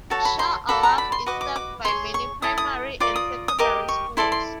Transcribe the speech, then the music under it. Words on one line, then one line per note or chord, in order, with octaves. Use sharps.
Shah Alam is served by many primary and secondary schools.
F#4 A4 C#5 A5
B5
C6
F#4 A4 D5 B5
A#5
B5
C6
F#4 B4 D#5 D6
D6
D6
G#4 C#5 C6
C#6
E4 A4 D#6
D#6
F4 A#4 D5 D6
D#6
D#6
G4 A#4 D#5 D6
C#6
E4 A4 D5 C6
C6